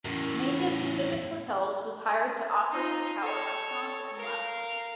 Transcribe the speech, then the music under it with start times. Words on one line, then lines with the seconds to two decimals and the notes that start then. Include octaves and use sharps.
Canadian Pacific Hotels was hired to operate the tower restaurants and lounges.
0.05 E2 A2 C#4 F#4 A#4
0.42 F4 B4 C#5
2.71 D#4 F4
3.18 A4 C#5
4.15 A#4 F5